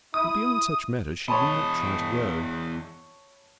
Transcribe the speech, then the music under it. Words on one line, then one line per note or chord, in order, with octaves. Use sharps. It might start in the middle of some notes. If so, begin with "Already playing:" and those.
But beyond such matters she did not try to go.
E4 D#6
E2 C#5 D#5 A5 B5